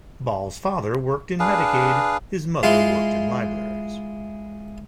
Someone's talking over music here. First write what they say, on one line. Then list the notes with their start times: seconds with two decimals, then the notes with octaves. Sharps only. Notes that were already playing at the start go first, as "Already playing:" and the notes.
Ball's father worked in Medicaid; his mother worked in libraries.
1.40 D4 G#4 B4 F5
2.63 G#3 E4 F4